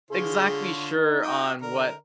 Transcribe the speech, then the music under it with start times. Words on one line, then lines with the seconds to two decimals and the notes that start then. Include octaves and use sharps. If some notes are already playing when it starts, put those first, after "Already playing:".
exactly sure on what
0.11 D3 F4 G#4 C#5
0.92 D#4
1.22 F#4 D#5 G5
1.62 D3 A#4